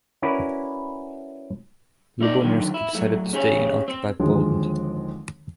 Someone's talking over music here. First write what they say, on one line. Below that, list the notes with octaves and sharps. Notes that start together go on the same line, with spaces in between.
Lubomirski decided to stay in occupied Poland.
C#4 E4 F#4 A#4 B4 D5
A3 D#4 D5
D3 D#3 F3 F#3
E4
F#3 A3 E4
C#4 G4 G#4 C5 C#5
C4
D#2 D3 F3 F#3 G#3 C4